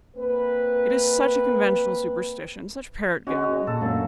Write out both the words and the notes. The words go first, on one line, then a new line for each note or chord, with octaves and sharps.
It is such a conventional superstition, such parrot gabble!
A#3 C4 B4
G#3 C#4 F#4
A#2 A4
F#2 A#3 D4